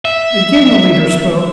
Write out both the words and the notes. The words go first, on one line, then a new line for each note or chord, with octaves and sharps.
Again the leader spoke.
E5